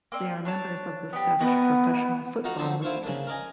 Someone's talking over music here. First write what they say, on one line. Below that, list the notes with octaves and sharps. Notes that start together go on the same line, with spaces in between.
They are members of the Scottish Professional Football League.
A#3 C4 D5
D4 C#5 A5
B3 D4 G4
B3 D#4 F#4 A#4
D#4 F4 F#4 F#5 A#5
D3 F3 F#3 C4 D#4
E4 F4 C5 C#6
C#3 A#3 D4
A#4 D5 D#5 G#5